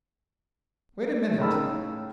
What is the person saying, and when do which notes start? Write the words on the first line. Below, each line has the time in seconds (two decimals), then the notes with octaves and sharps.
"Wait a minute."
1.38 A2 C#3 D#4 A#4 B5 E6